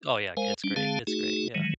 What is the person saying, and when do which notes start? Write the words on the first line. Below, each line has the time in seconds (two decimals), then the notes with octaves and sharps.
Oh, yeah, it's great, it's great, yeah.
0.37 G#3 A#4 C5 F5 G#5
0.64 G3 C#4 D4
0.76 D3 G#3 C4 G#4 F5 A5
1.07 A3 D#4 F#4 G#4
1.55 D#3 E3 F#3 G#3